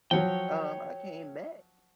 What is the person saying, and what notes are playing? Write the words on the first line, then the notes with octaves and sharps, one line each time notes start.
um, I came back
F3 F#3 C#5 G5